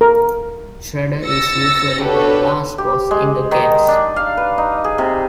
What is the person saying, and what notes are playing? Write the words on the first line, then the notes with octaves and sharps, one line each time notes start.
Shredder is usually the last boss in the games.
A#4
E6 A6 A#6 C#7
D4 F#4 G4 A4 B4 C#5
G4
G#3
D#3
D4
F5
B4
D#4
G#4
C3